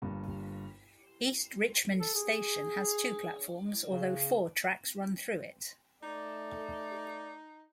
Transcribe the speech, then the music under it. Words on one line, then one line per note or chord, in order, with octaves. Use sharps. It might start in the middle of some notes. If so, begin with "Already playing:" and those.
East Richmond station has two platforms, although four tracks run through it.
G1 G2 A#3
A4
G#4
C#3
A3 D#4 D5